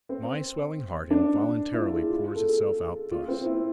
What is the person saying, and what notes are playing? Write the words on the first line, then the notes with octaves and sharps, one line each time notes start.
My swelling heart involuntarily pours itself out thus.
C4
D4
E4
F4
G#4
F4
A4
G#4
G#4
F4
C4
E4